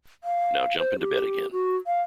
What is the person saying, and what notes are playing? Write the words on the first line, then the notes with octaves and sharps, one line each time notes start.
Now jump into bed again.
F5
C5
G4
F#4
F5